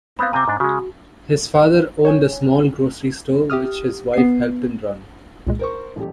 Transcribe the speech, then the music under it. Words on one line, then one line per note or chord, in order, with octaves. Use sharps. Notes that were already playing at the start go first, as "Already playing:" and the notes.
His father owned a small grocery store, which his wife helped him run.
B3 C4 F5 B5
C3 C4 G#5 A#5 D6
G#2 D4
C#3 G#3 F#4
C#5 G5 G#5
G4 E5 D#6 F6
B3 C7
C2 A#2 G#3
A#4 C5 C#6
D#1 A1 G4